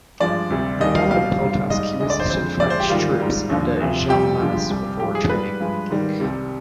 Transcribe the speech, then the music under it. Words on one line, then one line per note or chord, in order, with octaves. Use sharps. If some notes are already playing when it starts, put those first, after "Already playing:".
In the Battle of Pultusk he resisted French troops under Jean Lannes before retreating.
G2 F3 G#3 D5
D2 C3 G3
D#2 D#3 G3 D#5
F5
C2 B2 G3 F5
G2 D3 G3
G#2 G3 D#5
D2 D3 G#3 D#5
D5
C5
F2 D3 G#3 C5
D2 D3 F3 G#3 D5
C5
G4
G#2 D#3 G3 F4
G#2 G3
D#2 D3 F3
D2 C3 F3
F2 C3 G3 G4
G2 D3 F3 G#3
C2 C3 G3
G2 F3 G#3 G4
G#4
G#2 G3 B4
G2 F3 G#3
G#2 D#3 G3
C2 C3 G3